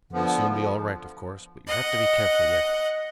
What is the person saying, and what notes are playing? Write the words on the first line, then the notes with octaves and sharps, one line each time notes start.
You'll soon be all right, of course, but you have to be careful yet.
D3 F3 B3
F3
D#5 F#5